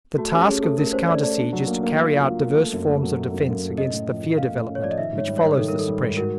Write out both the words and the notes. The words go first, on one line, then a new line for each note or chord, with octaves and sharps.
The task of this counter siege is to carry out diverse forms of defense against the fear development which follows the suppression.
A3 F#4
C#4 G4
C#4 G#4
A3 A4
A3 A#4
C#4 C5
A3 D5
A3 D5
D4
F#3
A#3
A#3
A#3
F4
F4
A#3
A3
F#2
A3
F#3
A3
F#2
F#2
A3
C#4 D#5
A2
F3
A2
C#4 F5
A3
C#4
C#5
F3 D5
D#5
D#3 E5
G#2
C#5
G3
C#5
G3
D#3 A4
G3 A#4
A4
G3
G#2
F#4 A#4